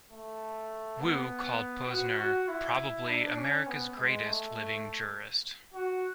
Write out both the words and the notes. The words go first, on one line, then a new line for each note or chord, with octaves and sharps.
Wu called Posner probably America's greatest living jurist.
A3
B3
F#4
F#4
E4
D4
C#4
B3
G#3
A3
A3
F#4